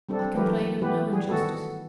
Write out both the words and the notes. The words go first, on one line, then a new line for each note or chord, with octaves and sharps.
I complain of no injustice.
G3 C4 D4 A4
E3 F#3 A3 G4 A#4 B4
E3 B3 G4 B4
G3 G#4
D#3 A3 B3 F#4 A4